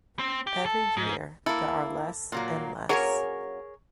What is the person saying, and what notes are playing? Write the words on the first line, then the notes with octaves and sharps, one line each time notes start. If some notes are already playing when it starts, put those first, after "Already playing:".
Every year there are less and less.
C4
G4
A4
G#2
A#3 E4 A4
A#2 F#3 A#3
F#3 A#3 C#4 G#4 A#4 C#5